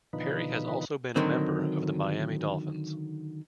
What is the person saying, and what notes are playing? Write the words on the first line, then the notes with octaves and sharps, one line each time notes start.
Perry has also been a member of the Miami Dolphins.
B2 D3 D#3 F3 D#4 B4
D3 D#3 F#3 C4